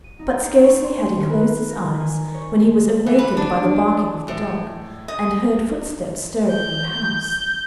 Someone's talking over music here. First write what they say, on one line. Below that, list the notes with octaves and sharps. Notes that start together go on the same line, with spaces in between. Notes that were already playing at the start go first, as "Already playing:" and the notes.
But scarcely had he closed his eyes when he was awakened by the barking of the dog, and heard footsteps stirring in the house.
D#7
D#4
G6
C#5
C6
D#3
B4
A#4
D#3
G#5
C#5
E3
B4
D4
A2
D#5
G6